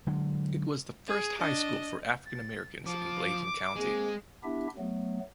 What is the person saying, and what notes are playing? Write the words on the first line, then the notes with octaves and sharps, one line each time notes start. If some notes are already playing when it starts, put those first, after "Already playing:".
It was the first high school for African Americans in Bladen County.
D3 F#3 G#3
G#4
D4 D#5
A6
F3 D6
G#3 A#3 C4 G#4
B3 D4 E4 G4 E5
F#3 A3 B3